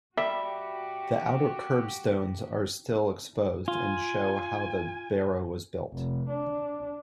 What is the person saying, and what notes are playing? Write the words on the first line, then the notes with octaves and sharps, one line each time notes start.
The outer kerb stones are still exposed, and show how the barrow was built.
G3 F#4 G4 E5
F4 G#5
F1
D4